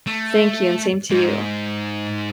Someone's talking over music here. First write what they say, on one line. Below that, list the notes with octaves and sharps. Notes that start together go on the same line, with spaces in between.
Thank you, and same to you.
A3
G#2